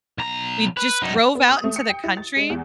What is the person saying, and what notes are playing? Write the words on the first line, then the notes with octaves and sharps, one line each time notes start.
we just drove out into the country,
B1 A#5
B4
F#2 D#4
B3
D#6
A3
C#7
G5
E4
A6
G#3
E2